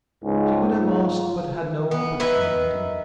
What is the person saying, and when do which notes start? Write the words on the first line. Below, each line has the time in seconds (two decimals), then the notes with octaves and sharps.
She would have asked, but had no opportunity.
0.24 C#2 G#2
0.78 F4
1.91 B3
2.20 D#3 B4 E5